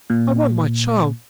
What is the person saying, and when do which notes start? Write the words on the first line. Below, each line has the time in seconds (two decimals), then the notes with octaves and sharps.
I want my child!
0.10 A#2